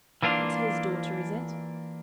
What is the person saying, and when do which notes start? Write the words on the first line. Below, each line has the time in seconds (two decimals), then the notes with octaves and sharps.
It's HIS daughter, is it?'
0.22 E3 A#3 D4 F4